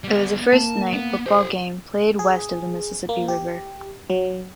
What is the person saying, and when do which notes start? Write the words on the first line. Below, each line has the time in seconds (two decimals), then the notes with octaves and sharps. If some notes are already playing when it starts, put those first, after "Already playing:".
It was the first night football game played west of the Mississippi River.
0.04 G3 B3
0.53 A#3 A5
0.93 B3
1.26 G4 A4 C5
2.19 G#4
3.09 A#3
3.28 G4
4.10 F#3